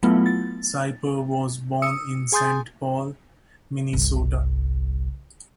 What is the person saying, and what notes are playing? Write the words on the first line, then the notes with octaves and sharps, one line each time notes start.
Sieber was born in Saint Paul, Minnesota.
F#3 A3 B3 E4 F4
A6
D#6 E6 C#7
G#4 G#5 C6 D#6 G6 A6
G1 C2